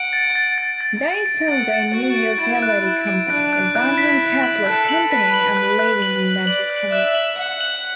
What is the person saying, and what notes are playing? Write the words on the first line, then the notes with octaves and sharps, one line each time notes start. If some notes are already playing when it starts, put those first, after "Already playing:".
They formed a new utility company, abandoning Tesla's company and leaving the inventor penniless.
Already playing: F#5 D7
A6
A6
A6
A6
A6
D7
F#5 A6
A6
F#4 A6
D7
E4 A6
F#6
E4 F#6
D7
D4 F#6
F#6
E4 F#6
B6
B6
F#7
A4 F#6
F#7
B4 B6
F#7
F#6
F#6
B4 F#7
F#7
D5 F#7
F#6
E5 F#6
F#7
F#5 F#7
F#7